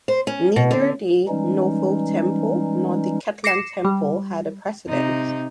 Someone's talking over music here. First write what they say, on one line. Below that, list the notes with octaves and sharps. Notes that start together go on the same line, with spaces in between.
Neither the Nauvoo Temple nor the Kirtland Temple had a president.
C5
C#4
B2
D3
E3 G3 G#3 C#4 D#4
D6 A#6 C7 C#7 E7
G3
C3 D#4